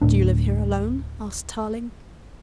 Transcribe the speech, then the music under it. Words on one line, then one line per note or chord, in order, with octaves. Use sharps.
"Do you live here alone?" asked Tarling.
D1 D2 A2 D4